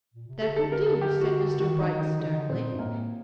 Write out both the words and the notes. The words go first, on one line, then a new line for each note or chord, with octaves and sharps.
"That will do," said Mr. Bright sternly.
A#2
C3
D3 A4
A4
A#4
A4
G4
F#4
G4
D#3 F#4
D#4
D#3
D#4
D3 D#4
D#3
D3
A#2 C4
G2
A2 A#3